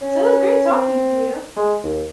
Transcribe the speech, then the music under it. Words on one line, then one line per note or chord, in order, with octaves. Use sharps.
So, it was great talking to you.
C#4
C4
G#3
D#2